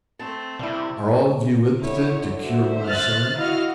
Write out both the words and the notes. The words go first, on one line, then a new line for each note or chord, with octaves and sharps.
Are all of you impotent to cure my son?
A3 C4 A5
C3 G3 E4
D3 E4 C#5
F#4 C5 E5
F6 F#6 A6
E4 F#4 D#5 F5 F6